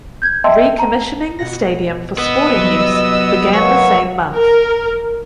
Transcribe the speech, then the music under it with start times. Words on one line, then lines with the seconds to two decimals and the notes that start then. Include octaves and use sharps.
Recommissioning the stadium for sporting use began the same month.
0.22 G6 G#6
0.44 D#5 E5 G5 A5 C6 E6
0.78 A5 A#5
1.39 B2 F#5 A#6
2.18 B3 D#5 E6
2.54 C2 F#3
3.54 A#3 B4 C#5 F#5
4.35 A#4